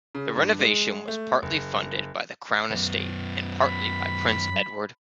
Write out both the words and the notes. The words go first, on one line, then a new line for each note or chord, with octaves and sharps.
The renovation was partly funded by the Crown Estate and partly by Prince Edward.
C#3
G2
G#3
A3
F#1
F#2 B3
B5